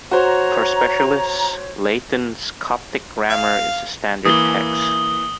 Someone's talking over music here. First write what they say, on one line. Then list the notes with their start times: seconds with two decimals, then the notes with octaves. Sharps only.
For specialists, Layton's Coptic grammar is a standard text.
0.11 F#4 C5 C#5 A#5
3.30 F5
4.25 E3 A#3 D#6 G7